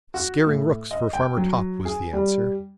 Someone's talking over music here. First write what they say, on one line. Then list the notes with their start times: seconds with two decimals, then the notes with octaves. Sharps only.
'Scaring rooks for Farmer Topp,' was the answer.
0.14 F#4
0.46 A2
0.91 D#5
1.13 G5
1.37 F#3
1.85 G#4
2.13 G3